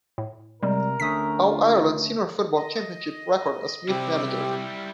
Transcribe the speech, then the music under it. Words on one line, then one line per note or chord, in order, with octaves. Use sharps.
All-Ireland Senior Football Championship record as Meath manager.
A2
C3 G3 G#3 A#4 D5
D2 A3 C#4 D4 D#6 B6
F4
D#5
C3 G3 C4 E4 G4